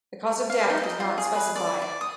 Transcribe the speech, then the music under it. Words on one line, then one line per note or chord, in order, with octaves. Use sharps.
The cause of death was not specified.
F5
D#4
D#5
F4
G#4
B4
D5
D5
D#6